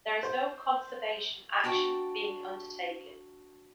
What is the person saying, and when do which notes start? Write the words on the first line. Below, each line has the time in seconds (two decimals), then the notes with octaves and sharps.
There is no conservation action being undertaken.
0.23 C5
1.64 D4 F#4 G5 A5